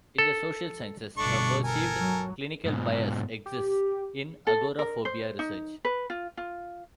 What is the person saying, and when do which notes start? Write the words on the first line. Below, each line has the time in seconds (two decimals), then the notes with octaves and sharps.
In the social sciences, a perceived clinical bias exists in agoraphobia research.
0.18 A4
1.18 G1 G2 B2 A3 D4 C#6
1.64 A4 A#4 G#5
2.00 F#3
2.65 G#2 B2
3.46 G4
4.47 A4
4.79 A#4
5.05 C5
5.39 D#4
5.85 B4
6.10 F4
6.37 F4